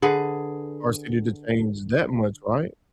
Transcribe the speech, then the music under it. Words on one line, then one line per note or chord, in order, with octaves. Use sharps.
our city to change that much, right?
D3 G#4 B4